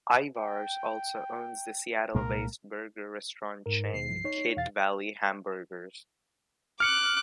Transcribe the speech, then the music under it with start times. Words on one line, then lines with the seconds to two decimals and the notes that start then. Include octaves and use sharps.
Ivar's also owns the Seattle-based burger restaurant chain Kidd Valley Hamburgers.
0.37 G5
2.15 C2 A#2 G#3 A#4
3.66 G#2 A#4
3.94 D#2 B2 C7
4.10 C2 G2 F3
4.24 D#4 C#5
4.57 E2 B2 F5 A6
6.80 D6 F6 F#6 C#7